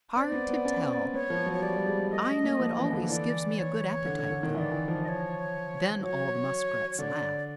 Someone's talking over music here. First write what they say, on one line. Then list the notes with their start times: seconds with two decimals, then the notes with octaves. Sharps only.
"Hard to tell: I know it always gives me a good appetite, though." Then all the Muskrats laughed.
0.16 C4 D5
0.32 B3
0.49 B3
0.65 C#4
0.82 C4
0.97 C4
1.14 B3 C#5
1.30 F3
1.46 F#3
1.53 C#5
1.62 G3 D5
1.76 G3
1.87 G#3
2.11 A3 D#5
2.44 A#3
2.59 F3
2.77 E3
2.93 D3
3.09 E3 D5
3.57 C#5
4.06 D3
4.19 D3
4.31 D3
4.43 D#3
4.54 E3 E5
4.59 D5
4.71 E3
4.88 F3
5.04 D#5
5.08 C#5
6.01 F#3 C#5
6.90 C#5
6.99 D3 D5